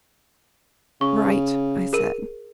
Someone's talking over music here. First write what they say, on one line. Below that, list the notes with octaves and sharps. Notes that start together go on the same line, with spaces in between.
"Right," I said.
C#3 C#6
G#4 A#4 D#7